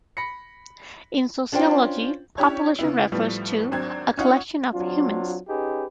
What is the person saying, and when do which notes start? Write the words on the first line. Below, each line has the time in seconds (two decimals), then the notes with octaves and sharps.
In sociology, population refers to a collection of humans.
0.17 B5 A#6 C#7
1.52 C#4 D4 F4 C5 G5
2.38 C#4 D4 E4 G4 C#5
2.79 C#3 B3 E4
3.12 A2 F3 G3 A3 B3
3.71 G#1 F#3 C4 D4 G#6
4.17 C#4 D#4 F4 C#5 F#5
4.72 F#3 C4 D4 F4
5.48 C#4 D#4 G4 G#4 B4